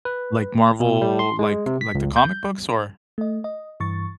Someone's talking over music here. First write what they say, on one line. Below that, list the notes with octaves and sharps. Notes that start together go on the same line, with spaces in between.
like, Marvel, like like the comic books or?
B4
B2
G3
C6
G#3
C3
B6
C#2
G6
A3 D#5
D#5
G2 E3 C#6 A6